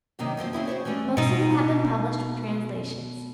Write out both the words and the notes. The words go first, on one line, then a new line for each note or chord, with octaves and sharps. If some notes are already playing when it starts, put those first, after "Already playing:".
Most of them have been published with translations.
F#2 C3 D#3 A#3 D#4
F#2 F3 C4 F4
C4 C#4 E4 G#4
F#4 G4 C5 C#5
E3 G3 A3 C#4
B2 D#4